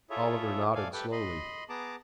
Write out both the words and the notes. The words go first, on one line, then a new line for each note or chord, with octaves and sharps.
Oliver nodded slowly.
E4 F4 G#4 A4 C#5 E5
A4 D5 F5 G#5
G4 A4 B4 G5
D#5 B5 C6
B3 G#4 A5 A#5 D6